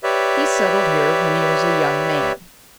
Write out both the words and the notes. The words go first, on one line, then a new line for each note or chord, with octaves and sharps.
He settled here when he was a young man.
G4 B4 C#5 D5 E5